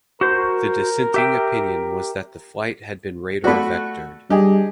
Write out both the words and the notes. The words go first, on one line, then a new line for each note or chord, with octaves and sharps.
The dissenting opinion was that the flight had been radar vectored.
F#4 A#4 C5
G4 E5 G5
A3 F4 F#4 D5 B5
G3 D4 G4 G#4 D#5